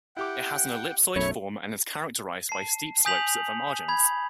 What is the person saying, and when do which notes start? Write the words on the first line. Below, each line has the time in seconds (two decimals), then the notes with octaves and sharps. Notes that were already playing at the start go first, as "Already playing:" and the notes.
It has an ellipsoid form and is characterized by steep slopes at the margins.
0.17 E4 G4 F#5 G5 D6
1.16 B1 F#2 A3 E4 C#5 B5
2.49 A5 C7
3.05 G#5 D#6 G6 B6 F7 F#7
3.88 B5 G#6